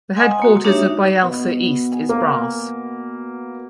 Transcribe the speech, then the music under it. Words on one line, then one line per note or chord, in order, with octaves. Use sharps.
The headquarters of Bayelsa East is Brass.
D#5 F#5 G#5 C6 D#6
A#3 F#4
D4 D#4 F#4 G4 C#5 E5
B2 B3
G#5
A#3